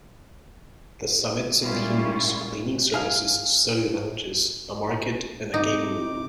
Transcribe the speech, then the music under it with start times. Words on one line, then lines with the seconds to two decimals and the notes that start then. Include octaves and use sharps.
The Summits includes cleaning services, study lounges, a market, and a game room.
1.62 A#2 G3 G#3 C#4 E4 F4
2.94 G#4 F5
5.54 C3 D#4 D6